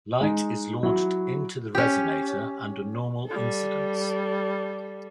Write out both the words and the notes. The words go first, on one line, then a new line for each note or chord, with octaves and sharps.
Light is launched into the resonator under normal incidence.
G#3 D#4
F#3 E4 F#4
C#4 G4
G3 A4